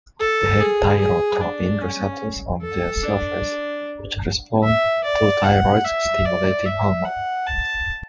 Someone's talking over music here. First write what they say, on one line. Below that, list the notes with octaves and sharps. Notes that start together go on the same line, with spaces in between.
They have thyrotropin receptors on their surface, which respond to thyroid-stimulating hormone.
A4
G#4
G#4
D4
C#4
A4
D4
E5
D5
F#5
E5
D5
E5
F#5
A5